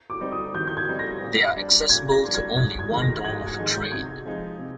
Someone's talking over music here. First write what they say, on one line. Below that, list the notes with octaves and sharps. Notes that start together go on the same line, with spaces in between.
They are accessible to only one door of a train.
D6
G3 C4 D#4
D#6
D#3 G6
G6
G#6
G3 C4 D#4
A#6
A#2
G3 D4
A#2 G#6
A#6
G3 D4
G#6
G#2 G#6
G#6
D#3 G#3 D#4
A#6
G#2 G#6
G#6
D#3 G#3 D#4
G6
C3 G#6
F3 G#3 D#4
C3